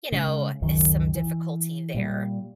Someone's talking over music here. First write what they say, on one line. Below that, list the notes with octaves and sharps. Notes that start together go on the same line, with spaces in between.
you know, some difficulty there
C#3 G#3
C#2 F#2 D#3
E3
A#2 G3